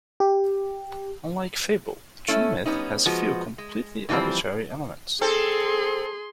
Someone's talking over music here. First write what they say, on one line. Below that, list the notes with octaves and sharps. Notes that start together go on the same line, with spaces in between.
Unlike fable, true myth has few completely arbitrary elements.
G4
A3 C#4 E4
G3 B3 C#4 D#4
F3 G#3 B3 F#4
G#3
D3 E3 F3 G3 C4
C4 G#4 A4 C6